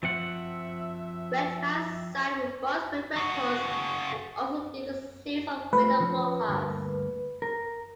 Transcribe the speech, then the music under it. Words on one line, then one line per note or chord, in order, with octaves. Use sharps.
Redman signed with Brunswick Records and also did a series of radio broadcasts.
F3 C4 E5 F#5
C#3 F#4
A3 F4 B4
F3 C#4
D2 G2 A#3
A#4